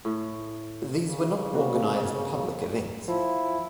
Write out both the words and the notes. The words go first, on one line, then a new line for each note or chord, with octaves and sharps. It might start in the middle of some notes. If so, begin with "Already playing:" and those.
These were not organized public events.
A2
C#3
C3 A#3 F#4
F3 E4